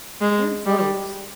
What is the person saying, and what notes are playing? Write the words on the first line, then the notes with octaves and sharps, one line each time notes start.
And folks.
G#3
G3